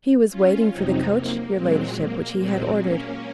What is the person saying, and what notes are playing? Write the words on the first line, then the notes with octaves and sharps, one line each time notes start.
"He was waiting for the coach, your ladyship, which he had ordered."
C#4 F4
F2 C3 F#3 C4 D#4
A#3
A#2 F#3 G#3 C4
A#3
A#2 F#3 G#3 C4
A#3 C#4